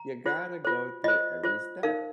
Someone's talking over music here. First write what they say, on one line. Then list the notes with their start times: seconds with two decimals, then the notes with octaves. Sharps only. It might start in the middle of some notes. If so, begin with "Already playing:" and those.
you gotta go through every step,
Already playing: A#5
0.26 F4 C5
0.65 F4 C5
1.04 F4 C5 D#5
1.44 F4 C5
1.83 D#4 A#4 F5